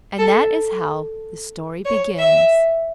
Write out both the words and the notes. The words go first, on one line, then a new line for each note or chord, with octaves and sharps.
And that is how this story begins.
A4
C#5
E5